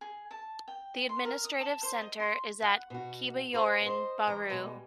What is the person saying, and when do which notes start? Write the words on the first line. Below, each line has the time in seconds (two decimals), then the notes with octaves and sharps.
The administrative centre is at Kebayoran Baru.
0.01 G#4
0.31 A5
0.68 G5
1.09 C6
1.25 A#4
1.45 D#6
1.60 A5
1.83 C5
2.01 D#5
2.20 C6
2.62 F#5
2.90 B2 F#4
3.53 B3 G#4 C5 F#5 A#5
3.82 C5 D#5
4.27 E3 G#3 A#5
4.50 B2 G3 G#3